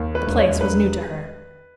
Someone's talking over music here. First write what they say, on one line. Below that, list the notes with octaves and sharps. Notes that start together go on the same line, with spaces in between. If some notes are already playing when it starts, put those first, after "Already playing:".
The place was new to her.
Already playing: D#2
B4
E1
C#5
E1 B4